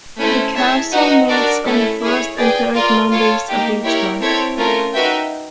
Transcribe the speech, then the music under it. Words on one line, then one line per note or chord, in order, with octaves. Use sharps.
The council meets on the first and third Mondays of each month.
A3 C#4 E4 A4 C5
E4 G#4 C#5 E5 A5
D#4 F#4 B4 D#5
D4 F#4 A#4 D5
A3 C#4 E4 A4
E4 G#4 C#5
G#4 B4 D5 G5
F4 A#4 D5
F4 A4 C#5 F5
A#3 D#4 G4
E4 G4 A#4 C#5
C4 E4 A4 C#5
A3 C#4 F4 A#4
D#4 F#4 B4 E5 G5